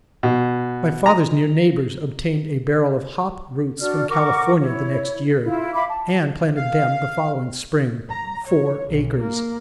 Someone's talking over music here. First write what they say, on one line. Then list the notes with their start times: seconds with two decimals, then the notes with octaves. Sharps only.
My father's near neighbors obtained a barrel of hop roots from California the next year, and planted them the following spring--four acres.
0.23 B2
1.06 A#5
3.79 D4 F#4 D5 F6
4.08 A#4 F#5 C#6 D6
4.60 E4 C#5
5.44 E4 F4
5.74 E5 F5 B5 D6
5.89 A5
6.56 F5
8.11 A#5
8.46 C#5
8.90 B1
9.21 A#3